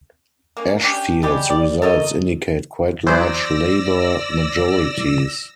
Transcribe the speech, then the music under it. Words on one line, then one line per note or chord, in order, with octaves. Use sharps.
Ashfield's results indicate quite large Labour majorities.
A#3 C#4
C#4 D4 G4
G3 G#3 G4
D5
A4 A#4 C#5 D#5
E3 F#3 B3 C5 D5 E6 A#6